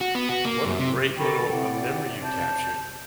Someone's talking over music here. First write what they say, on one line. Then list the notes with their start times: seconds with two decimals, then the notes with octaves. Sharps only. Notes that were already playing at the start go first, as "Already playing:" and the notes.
what a great little, uh, memory you captured.
0.01 F#4
0.15 B3
0.29 F#4
0.45 A#3
0.65 F#2
0.79 C3
1.17 D3 A4 A#4 G5 B5 C#6
1.50 C3 E4 D5 F#5 G5
2.23 A5 G6